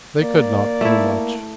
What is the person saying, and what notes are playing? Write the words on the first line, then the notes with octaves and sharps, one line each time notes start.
They could not do much.
A#3 D5
A3 E4